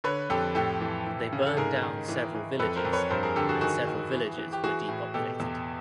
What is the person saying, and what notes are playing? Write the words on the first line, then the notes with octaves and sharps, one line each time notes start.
They burned down several villages and several villages were depopulated.
D3 B4 C#5
F2 G4 A4
A2 G4 A4
E3
E3
C#3
A4
G#2 G#4 A#4
D#3
E3
E3
F2 A4 B4
A#4 C5
F2
B4 C#5
G2 A#4 C5
G#4 A#4
D3 G4 A4
F#4 G#4
D#3 F#4 G#4
D#3
E3
E3
G4
E3 F#4 G#4
A2
B2 G4 A4
E2